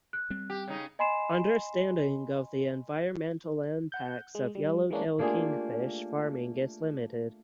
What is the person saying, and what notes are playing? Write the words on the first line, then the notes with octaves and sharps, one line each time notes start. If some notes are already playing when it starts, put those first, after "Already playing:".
Understanding of the environmental impacts of yellowtail kingfish farming is limited.
F#6
G3 C4
G4
C#3 D#4
D#5 G#5 B5 C6 C7 E7
F#5 G6
G#3
G3
E3 G#3 A#3 C#4 D4
A3 A#3 D4 F4 G4 G#4